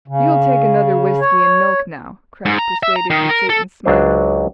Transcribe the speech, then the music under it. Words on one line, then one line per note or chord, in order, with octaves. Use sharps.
"You'll take another whiskey and milk now," Kraft persuaded, with Satan's smile.
C#3
C#5
G#2
A#5
E5
A#5
D#3
A#4
A4
C#2 F#3 D4 C5